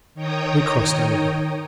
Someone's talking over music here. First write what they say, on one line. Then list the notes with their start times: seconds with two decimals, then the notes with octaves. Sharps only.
We crossed over.
0.15 D#3 C#5 G5 A#5 D#6